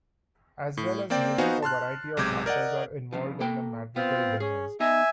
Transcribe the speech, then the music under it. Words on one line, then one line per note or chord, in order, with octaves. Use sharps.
As well as music, a variety of actors are involved in the madrigal dinners.
A2
A#3 C4 D5 G5
B3 D#4 F#4 C5 F5 G#5
A5 C6 F6 F#6
B1 C3 G#3 D6 G6 G#6
A#4 D5 D#5 F#5
G2 C#3 F3
A#3 A4 G5
B3 C4 F4
C#4 G#4
B3 D#4 D#5 E5 G#5